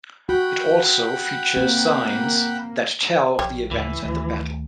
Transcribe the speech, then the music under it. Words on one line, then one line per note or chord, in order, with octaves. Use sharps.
It also features signs that tell of the events at the battle.
F#4 F#5 G5 B5
A#3 C4
A#1 G3 C#5
D2 A2 C#3 E3
D2 D#3 A3